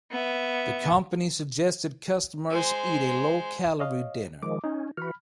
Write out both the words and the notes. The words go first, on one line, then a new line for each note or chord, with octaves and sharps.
The company suggested customers eat a low-calorie dinner.
B3 E5
G#3 C5
C#5 D#5 F5
D#3 F3 G#3 D6
C#4 D#4
E3 F#4 B5 F6